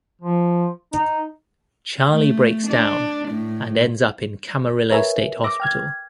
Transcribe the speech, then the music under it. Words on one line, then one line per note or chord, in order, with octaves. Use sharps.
Charlie breaks down and ends up in Camarillo State Hospital.
F3
D#4
A3
D4
A2
A#4 B4 C#5 E5 G#5
D6 E6 A#6
G5 F6 G#6